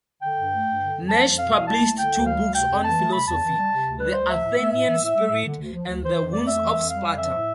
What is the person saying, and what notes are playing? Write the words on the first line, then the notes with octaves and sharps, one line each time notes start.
Nash published two books on philosophy, "The Athenian Spirit" and "The Wounds of Sparta".
D3 G5
G2
A3
G2
D3
F2
F3 A5
F2
B2 F5
C2
A3 A5
C2
D3 G5
D2
G3 F5
D2
C3 G5
F2
E3 A5
A3
C3 B5
E2 A5
E3
G3
C3
D2
G3 B4
D2 C5
F3 E5
A2
A3 E5
A2 E5
E3
A2
G3
A2
D3
D2
F3
D2
E3 C5
F2
A3 D5
F2 E5
E3
F2
G3 F5
F2
F3 E5
A2